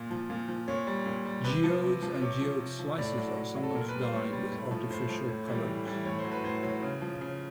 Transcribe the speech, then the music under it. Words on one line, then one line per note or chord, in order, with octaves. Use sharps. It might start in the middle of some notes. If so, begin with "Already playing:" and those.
Geodes and geode slices are sometimes dyed with artificial colors.
Already playing: A#2
F3
A#2
F3
A#2 C#5
G3
A#2
G3
C3 B4
F3
C3
F3
C3 C#5
F3
C3
F3
A2 D5
F#3
A2
F#3
A4
A#2 A#4
B4
G3
C5
A#2 C#5
G3
A2
F3
A2 C5
F3
A2
E3 G3
A2
E3 G3
A2 C#5
C5
F#3
B4
A2 C5
F#3
C#3
F3
C#3